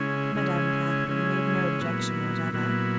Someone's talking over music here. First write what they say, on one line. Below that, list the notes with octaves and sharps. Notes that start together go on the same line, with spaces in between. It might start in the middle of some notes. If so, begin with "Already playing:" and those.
Madame Catherine--made no objection whatever.
Already playing: C#3 G#3 C#4 E4
C#3 G#3 C#4 E4
C#3 G#3 C#4 E4
A#2 F#3 B3 E4
A#2 F#3 B3 E4